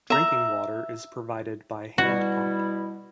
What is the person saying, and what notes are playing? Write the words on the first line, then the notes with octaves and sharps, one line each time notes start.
Drinking water is provided by hand pump.
E5 A#5
B2 G3 E4 F#4